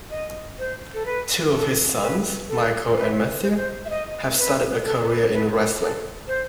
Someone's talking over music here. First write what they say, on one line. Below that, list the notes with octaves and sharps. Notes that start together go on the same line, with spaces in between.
Two of his sons, Michael and Matthew have started a career in wrestling.
D#5
C5
A4
B4
A4
B4
A4
B4
C5
D#5
C5
E5
D#5
B4
A4
A4
B4
B4
A4
A4
C5